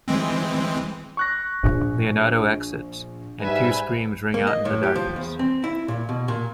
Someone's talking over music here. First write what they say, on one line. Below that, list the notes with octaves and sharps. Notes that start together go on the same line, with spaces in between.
Leonardo exits, and two screams ring out in the darkness.
E3 G#3 C4
C#6 F#6 A#6
A#1
G#2 G3 B4 E5 G#5
A#3
D#5
A2
G4
F3
E2
C4
E4
A#2
B2
A#2